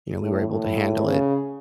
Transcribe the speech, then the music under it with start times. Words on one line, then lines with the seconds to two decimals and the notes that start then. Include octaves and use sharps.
You know, we were able to handle it,
0.22 A2
0.51 A2
1.07 C#3